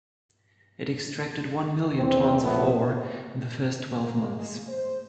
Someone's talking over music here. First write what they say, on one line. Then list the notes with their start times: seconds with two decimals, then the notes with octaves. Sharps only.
It extracted one million tonnes of ore in the first twelve months.
1.98 E2 C4
2.41 A#1 A2 B3
4.01 A#3
4.36 G#3
4.69 C5